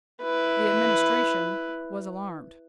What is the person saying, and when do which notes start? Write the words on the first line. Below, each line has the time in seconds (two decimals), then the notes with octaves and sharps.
The Administration was alarmed.
0.23 E4 B4